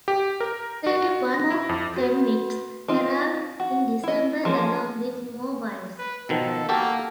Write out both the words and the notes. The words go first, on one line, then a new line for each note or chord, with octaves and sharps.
Thirty-one more convicts arrived in December, along with more wives.
G4
A#4
F#4
A#6
E4
F2
F#4 B4
C4 D#4 F4
F#4
E4 D#5
F3 G#3 A#3 C#4
B4
B2 D#3 F3 A4
A#3 F#4 G4 A4